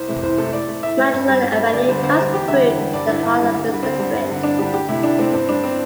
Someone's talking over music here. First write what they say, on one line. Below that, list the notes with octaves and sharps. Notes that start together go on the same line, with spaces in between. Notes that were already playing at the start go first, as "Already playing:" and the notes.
Madison Avenue cuts through the heart of this district.
Already playing: C2 C5
C3 E3 A3
C2 C5
C3 E3 A3 A4
A2 D5
A3
A2 E5
A3
G2
G3
G2
G3
D2 D5
D3 G3 C5
D2 C5
D3 G3 C5
E2 G4
D3 G3 E5
E2
D3 G3
G2 D5
D3 G3 E4
G2
D3 G3
D2
D3 G3
D2 C4
D3 G3
G2
D3 G3
G2 D4
D3 G3 G4
D2 G4
C3 A3 E4
D2 D4
C3 A3 C4
G2 C4
G3 D4
C4